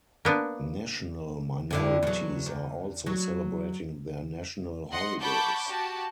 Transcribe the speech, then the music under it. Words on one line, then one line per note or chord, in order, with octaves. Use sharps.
National minorities are also celebrating their national holidays.
A#3 B3 D4
F2 D3 E4
E2 F#3
E2
F#3
D#5 F#5 C6
F#5 A5 B5 C#6 D6 G6
F#4 G4 A5